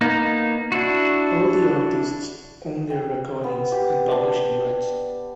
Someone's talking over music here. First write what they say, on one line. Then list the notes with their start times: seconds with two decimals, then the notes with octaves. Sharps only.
All the artists own their recordings and publishing rights.
0.01 A#3 B3 D#4
0.72 D4 E4 F#4
2.90 G5
3.44 B3
3.72 G4
4.11 D4